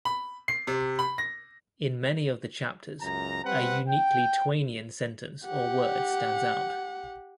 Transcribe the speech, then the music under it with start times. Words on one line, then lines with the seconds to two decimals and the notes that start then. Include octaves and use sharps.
In many of the chapters, a uniquely "Twainian" sentence or word stands out.
0.05 B5
0.48 C7
0.67 C3
0.99 B5
1.18 A#6
3.01 C#2 F#2 A#5
3.45 G3 C4 B4 F#5
3.88 G5
5.46 G4 F#5